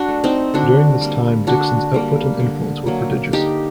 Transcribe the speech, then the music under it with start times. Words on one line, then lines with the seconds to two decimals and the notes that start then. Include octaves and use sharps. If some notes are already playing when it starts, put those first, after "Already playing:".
During this time Dixon's output and influence were prodigious.
Already playing: D4 F#4
0.08 A3
0.24 C4 D#4
0.54 D3 D4 F#4
1.01 G3 A#3
1.47 D3 D4 F#4
1.94 G3 A#3
2.40 D3
2.87 F#3 A#3
3.32 D3 D#4 G4